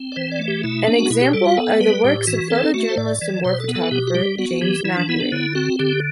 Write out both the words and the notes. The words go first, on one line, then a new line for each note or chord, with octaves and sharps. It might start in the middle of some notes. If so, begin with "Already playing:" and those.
An example are the works of photojournalist and war photographer James Nachtwey.
Already playing: C4
D5
E3 C5
D5
A3
G4
B2 E4
B3 D4
F#4
B2 E4
G4
G3 A4
F#4
B3 A4
G3 B4
A2 G4
E3 F#4
C4 A4
A3 F#4
C5
A2 D5
E3
B2 C5
A4
B3
A4
B2 G4
F#4
G3 G4
B3 F#4
E3 G4
E3 E4
D4
B3 E4
D4
D3 E4
C4 F#4
D3 G4